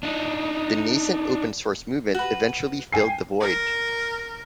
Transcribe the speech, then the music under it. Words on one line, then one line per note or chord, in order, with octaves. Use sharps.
The nascent open source movement eventually filled the void.
D4 D#4
F#4 B4
G5 G#5 C7
A#4